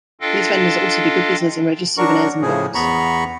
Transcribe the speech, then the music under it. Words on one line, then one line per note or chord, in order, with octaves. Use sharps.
These vendors also do good business in religious Souvenirs and books.
D4 F4 A4 D#5 F5 G5
F#3 D4 F#4 A#4 C#6
A2 C#3 F3 G#4
E2 B3 A#5 B5 C#6